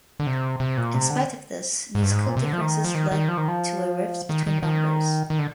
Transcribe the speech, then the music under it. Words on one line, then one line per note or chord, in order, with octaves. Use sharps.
In spite of this, musical differences led to a rift between members.
D3
C3
C3
A#2
C3
D3
G#2
G2
G#2
A#2
C3
D3
F3
D#3
F3
D#3
D#3
F3
D#3
F3
D#3
D#3
D#3
D#3
D3